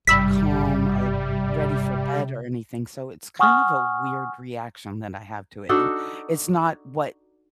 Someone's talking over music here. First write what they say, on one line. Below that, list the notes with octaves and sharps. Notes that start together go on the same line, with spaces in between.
calm or ready for bed or anything, so, it's kind of a weird reaction that I have to it, and it's not what
G#1 G2 C3 G3 B5 E6 B6
F#5 G#5 C#6 D#6 F6
D4 D#4 F#4 A4